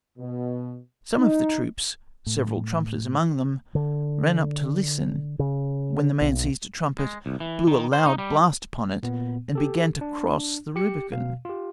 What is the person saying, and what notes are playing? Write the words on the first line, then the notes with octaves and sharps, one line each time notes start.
Some of the troops, several trumpeters among them, ran up to listen, when the man seized a trumpet, blew a loud blast upon it, and began to cross the Rubicon.
B2
D#4
A2
D3
C#3
B1
G#3
C2
E3
D#3
C5
D#4
G3
A#2 B3
G4 A4
D4
G4 C#7
B2 F5
F4 G4